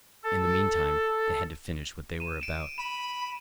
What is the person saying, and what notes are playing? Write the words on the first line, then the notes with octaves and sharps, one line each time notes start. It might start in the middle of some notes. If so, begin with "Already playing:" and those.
In the meantime they had to finish what they were about.
A4
D#7 E7
D7 E7
B5 E7